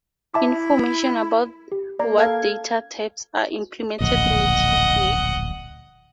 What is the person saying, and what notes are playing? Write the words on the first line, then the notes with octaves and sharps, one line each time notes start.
Information about what data types are implemented natively.
E4 E5 A5 D6
G4
A#3 D5 A#5
A4 F5 G#6
D1 A#1 D#5 F#5